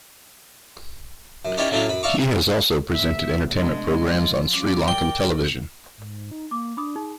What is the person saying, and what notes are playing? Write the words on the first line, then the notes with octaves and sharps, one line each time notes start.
He has also presented entertainment programmes on Sri Lankan television.
F#2
C#4 D#4 E4 G4 A#4 D5
A2 F#3 C#4 D4 E4 F5
F#2 B5
D5 E5 F5 A#5 C#6 D6
C3 A3 B3 E5
G#3 D4
F3 F4
G3 C#4 F4 D6
A#4 D5 G5
G#2
D#4
A#3 D6
D4 B5 D6 D#6
D#4 G#4